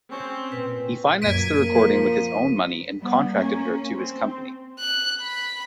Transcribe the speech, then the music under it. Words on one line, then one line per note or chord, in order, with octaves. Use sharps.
He financed the recording with his own money and contracted her to his company.
C4 C#4
A#2 B4
F#2 A#2 G#6 B6 D7 D#7
F3 A#3
G3 B3
A#3 C#4
C4
F#6
B5